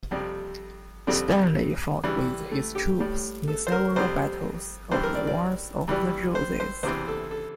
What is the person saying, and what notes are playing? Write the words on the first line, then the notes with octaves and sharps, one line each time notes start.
Stanley fought with his troops in several battles of the Wars of the Roses.
F2 C3 G3
F2 D3 G3 C4
G2 E3 G3
A3
G4
A2 G3
A4
C5
A#4
F2 C3 G3 C5
G2 E3 G3 C5
A#4
D5
D5
G2 E3 G3
C5
C5
E2 C3 E3 C5
A4
A4